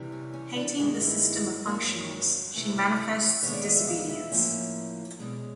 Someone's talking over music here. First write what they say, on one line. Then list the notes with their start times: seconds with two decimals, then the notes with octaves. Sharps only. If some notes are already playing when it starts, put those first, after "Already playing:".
Hating the system of functionals, she manifests disobedience.
Already playing: C3 E3 G3
0.12 C#4
0.34 C#4
0.56 D4
0.78 G2 D#3 G#3 B3
1.00 E4
1.66 G2 D3 F#3 A#3 C#4 F#4
2.54 C3 E3 A3 C#4
2.68 C5
2.77 C#5
2.99 E5
3.43 D#2 D#3 G#3 B3 C#5
3.53 D5
3.65 D#5
3.76 E5
3.87 F5
4.10 E5
4.32 A2 F3 A#3 C#4
5.19 B2 G#3 C#4 D5